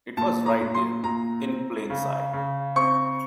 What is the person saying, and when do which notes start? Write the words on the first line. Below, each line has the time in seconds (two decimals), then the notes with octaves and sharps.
It was right there, in plain sight!
0.17 A#2 A5
0.46 A#5
0.61 A#2
0.75 C6
1.03 A#2 A#5
1.47 C4
1.90 C#3
2.33 C#3
2.76 C4 C#6